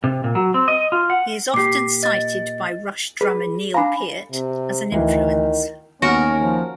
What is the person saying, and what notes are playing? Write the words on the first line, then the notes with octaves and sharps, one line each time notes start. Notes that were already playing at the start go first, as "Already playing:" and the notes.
He is often cited by Rush drummer Neil Peart as an influence.
C3
A#2
F#3
C4
D#5
F4
F#5
A#2 G4 D6 C7
D#5 A6
G#4 B4
D4 F5 G#5 A#5 B5
C3
D2 D#3 E3
D#2 B3 C#4 F#4 A#4
F3